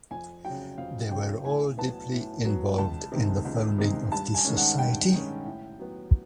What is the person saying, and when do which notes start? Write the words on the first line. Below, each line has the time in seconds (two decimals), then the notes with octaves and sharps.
They were all deeply involved in the founding of the society.
0.11 F2 G#5
0.45 C#3 F#3 G5
0.78 F2 F5
1.11 C#3 F#3 G5
1.45 A2 G#5
1.78 F#3 B3 A5
2.11 A2
2.45 F#3 B3
2.78 C#2 A5
3.12 C3 D#3 G#3
3.45 C#2
3.78 C3 D#3 G#3
4.12 G2 A5
4.34 G#5
4.45 D#3 G#3 C#4
4.57 F#5
4.78 G2 G5
5.12 D#3 G#3 C#4
5.46 A2
5.79 F#3 B3